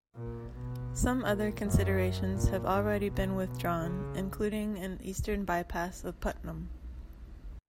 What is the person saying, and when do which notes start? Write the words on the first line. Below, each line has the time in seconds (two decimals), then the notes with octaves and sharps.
Some other considerations have already been withdrawn, including an eastern bypass of Putnam.
0.15 A#2
0.52 B2
1.25 A#2
1.61 F#2
2.34 A#2
2.71 G#2
3.06 B2
3.42 B2
3.79 C#3